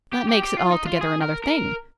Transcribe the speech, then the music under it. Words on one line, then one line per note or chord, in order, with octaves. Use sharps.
That makes it altogether another thing.
G4
G4
G4
F4
D#4
F4
G#4
A#4
A#4